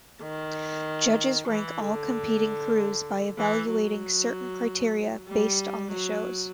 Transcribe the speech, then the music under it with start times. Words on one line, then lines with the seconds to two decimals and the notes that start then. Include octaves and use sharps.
Judges rank all competing crews by evaluating certain criteria based on the shows.
0.22 D#3
1.48 E3
1.80 D3
3.38 E3
3.71 F#3
5.29 G3
5.92 F#3